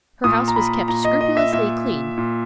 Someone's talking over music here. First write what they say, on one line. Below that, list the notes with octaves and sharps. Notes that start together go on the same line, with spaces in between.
Her house was kept scrupulously clean.
A#2 D#6
A#5
B5
A#2 A#5
D#5
D#5
E5
A#2 E5
A#2